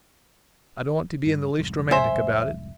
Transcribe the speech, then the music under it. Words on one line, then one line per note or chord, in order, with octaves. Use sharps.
I don't want to be in the least romantic about it.
G2
C2 F2 G#2
C5 E5 G#5